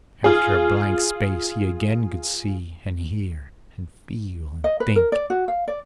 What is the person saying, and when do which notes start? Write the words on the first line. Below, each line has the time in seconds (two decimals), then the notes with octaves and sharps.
After a blank space he again could see and hear and feel and think.
0.24 F4 G#4
4.64 D#5
4.80 B4
4.96 A#4
5.12 D5
5.30 F#4
5.48 F5
5.68 D5